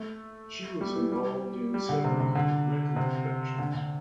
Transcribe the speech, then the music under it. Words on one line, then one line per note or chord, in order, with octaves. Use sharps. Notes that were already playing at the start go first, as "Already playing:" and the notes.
She was involved in several record productions.
Already playing: A3
G3
E3
G3
G3
D3
C3
C3
D3
C3
D3
D3